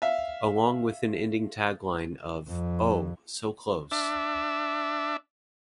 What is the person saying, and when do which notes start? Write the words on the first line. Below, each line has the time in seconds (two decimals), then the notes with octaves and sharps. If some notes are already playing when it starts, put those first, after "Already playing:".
Along with an ending tagline of, Oh, so close!
0.02 E5 F5
2.48 F2
3.92 D4 E5